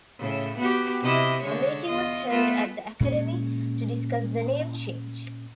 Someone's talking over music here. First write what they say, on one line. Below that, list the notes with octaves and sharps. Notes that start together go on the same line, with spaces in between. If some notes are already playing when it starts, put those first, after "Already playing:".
A meeting was held at the Academy to discuss the name change.
A2 C#3
B3 F#4 G4
C3 E4 D#5
D3 G#3 C#5
E2 F4 D#5
A3 B3 F4
A#2 G#3 C4 C#4